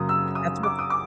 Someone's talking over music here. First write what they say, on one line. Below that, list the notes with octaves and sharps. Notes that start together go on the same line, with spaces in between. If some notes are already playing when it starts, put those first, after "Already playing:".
That's what
Already playing: F#2 C#3 F#3 A#3 C#4 D#6
E6
D#6
D6
D#6
D6